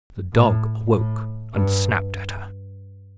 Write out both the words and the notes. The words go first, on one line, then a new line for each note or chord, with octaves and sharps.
The dog awoke, and snapped at her.
A2
A2
G2